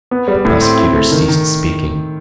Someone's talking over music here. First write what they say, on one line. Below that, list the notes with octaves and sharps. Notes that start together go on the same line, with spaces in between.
The prosecutor ceased speaking.
B3
G3
A2
C4
E4
A3
D#3
D#3